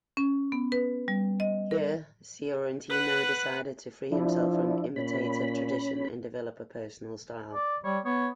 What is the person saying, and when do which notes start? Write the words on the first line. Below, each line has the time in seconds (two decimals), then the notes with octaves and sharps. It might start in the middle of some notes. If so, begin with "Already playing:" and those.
Here Sciortino decided to free himself from imitative tradition and develop a personal style.
0.17 C#4
0.52 B3
0.72 B4
1.08 G3
1.40 D#5
1.71 A#4
2.90 B4 F#5
4.12 F3 D4 E4
4.96 A#2 C#4 B5
7.54 D5
7.84 G3 C#5
8.05 B3 C#5